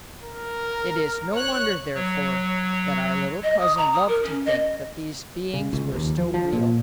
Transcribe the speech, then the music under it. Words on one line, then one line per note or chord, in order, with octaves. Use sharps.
It is no wonder, therefore, that our little cousin loved to think that these beings were still real.
A#4
C#5 F#6
F#3 C#5
D#5
D#6
A#5
D#6
A#4
C#4
D#5
C#3
C#2
D#2
F3
F3
A#2